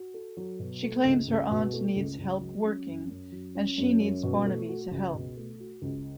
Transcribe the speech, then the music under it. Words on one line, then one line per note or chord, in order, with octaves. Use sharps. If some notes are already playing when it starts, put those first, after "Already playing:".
She claims her aunt needs help working, and she needs Barnaby to help.
Already playing: F#4
A4
F#3
B2
A3
C#2
C#2
B2
A3
C#2
C#2
F#3
C#4
F#2
F#2
F#3
C#4
F#2
F#2
B2
A3
F#4
C#2
B2
A3
F#4
C#2